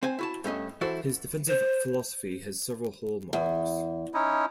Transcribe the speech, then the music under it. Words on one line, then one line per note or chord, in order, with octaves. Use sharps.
His defensive philosophy has several hallmarks.
C4 C5 G#5
E4 F#4 A5
G2 A3 C#4 D#5
E3 E4 F#4 A4 C5
C5
E2
C#4 D#4 E4